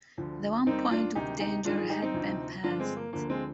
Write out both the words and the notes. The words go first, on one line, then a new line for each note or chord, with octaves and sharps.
The one point of danger had been passed.
D2 D3 F3
D#2 D#3 G3 C4 D#4
D4 F4
D2 C3 D#3 D#4 G4
D#4 G4
G#2 D#3 G3 D4 F4
F4 G#4
D#4 G4
C4 D#4
D2 C3 F3
G2 D3 F3 D4 F4
G#3 C4
A#3
D2 D3 F3 A#3
G#3 C4